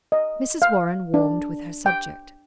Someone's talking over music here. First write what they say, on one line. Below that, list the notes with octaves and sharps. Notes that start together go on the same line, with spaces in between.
Mrs. Warren warmed with her subject.
D#5
F5
D4
G5